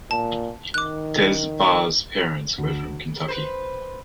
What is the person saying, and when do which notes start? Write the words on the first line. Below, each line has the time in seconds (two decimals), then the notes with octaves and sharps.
Des Barres' parents were from Kentucky.
0.11 A#2 A5
0.74 D#3 D6 F#6
2.58 D2
3.28 B4 C5